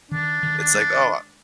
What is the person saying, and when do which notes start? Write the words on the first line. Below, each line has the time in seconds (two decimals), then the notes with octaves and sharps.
it's like, "Oh"
0.11 D#3 D4
0.43 D#3
0.58 D4
0.74 G#3